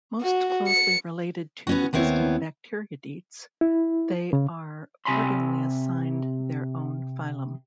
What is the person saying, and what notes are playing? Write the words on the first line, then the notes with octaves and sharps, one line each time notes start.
Most closely related to the distant Bacteroidetes, they are accordingly assigned their own phylum.
F#4
C#7
B3 C#4 F#4
D#2 B3 C4 E4 C#5
E4
C#3
C3 G#5 B5 C6